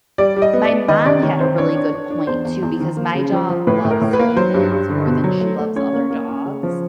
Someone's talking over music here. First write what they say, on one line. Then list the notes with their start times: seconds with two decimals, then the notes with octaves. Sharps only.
My mom had a really good point too because my dog loves humans more than she loves other dogs,
0.18 G3 D5
0.36 G3
0.42 D#5
0.53 B3
0.65 D5
0.71 B3
0.88 D#3 D#5
1.05 C3 D5
1.23 D#3 C#5
1.40 C4 C5
1.58 D4 C#5
1.76 D4
1.93 D4
2.10 D4
2.27 E2 C5
2.45 E2
2.62 E2
2.80 D#3
2.97 A#3
3.15 C#3
3.32 F3
3.50 F3
3.67 A2 B4
3.85 A2
3.91 A#4
4.01 A2
4.13 B4
4.19 A#3
4.36 F#3 C5
4.54 G2
4.72 G2
4.89 D3
5.06 B2
5.24 F#3
5.41 A3
5.59 A3
5.76 C#4 C#5
5.93 A#3
6.10 A#3
6.29 C#4
6.45 C#3
6.63 F3